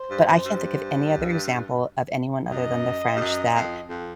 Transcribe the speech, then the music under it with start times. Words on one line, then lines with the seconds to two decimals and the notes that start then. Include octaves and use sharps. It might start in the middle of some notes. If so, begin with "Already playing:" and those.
but I can't think of any other example of anyone other than the French that
Already playing: C5
0.10 G2
0.27 F#2
0.44 G2
2.51 F#2 D#5
3.15 G2
3.21 F#2
3.55 F2
3.89 F2